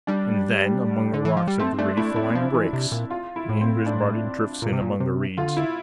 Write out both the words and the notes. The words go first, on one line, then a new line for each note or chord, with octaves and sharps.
And then, among the rocks of the reef, the line breaks; the angler's body drifts in among the reeds.
G3 D4
D3
E3
F3
G3
A3 C4
A3 D4
A3 E4
A3 E4
F3
E3
C3
A#2
F4
E4
A2
C4
D4
A#2
C3
A#2
C3
D3 F4
E4